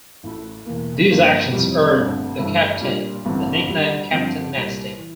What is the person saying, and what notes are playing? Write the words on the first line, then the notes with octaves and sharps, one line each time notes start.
These actions earned the captain the nickname "Captain Nasty".
A1 A2 E3 A3 E4
E1 E2 E3 A#3
G1 G2 D3 F3 A#3
F2 C3 E3 G3
G1 G2 D3 A3 C4
G1 G2 E3 A3 E4
A#2 G3 D4 F4
A1 G2 D3 A3 C4
D2 D3 G3
G2 D3 F3 C4
C2 A#2 G3
E3